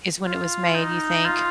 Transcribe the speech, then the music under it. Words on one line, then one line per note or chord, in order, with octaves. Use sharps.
i is when it was made, you think?
F4
D#4
F4